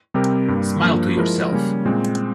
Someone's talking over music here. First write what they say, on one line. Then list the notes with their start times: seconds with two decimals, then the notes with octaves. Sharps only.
Smile to yourself.
0.14 C3 G3 C4 G4 A#4
0.48 G2 G3 A#3
0.82 G2 F3 A#3
1.17 F3 G#3 E4 A#4
1.51 C#3 G3 A#3 C#4
1.85 A#2 G#3 C4